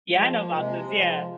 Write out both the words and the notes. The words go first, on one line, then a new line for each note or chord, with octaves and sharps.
Yeah, I know Maltas, yeah.
F3 G#3
A#3
C3 G#3
F3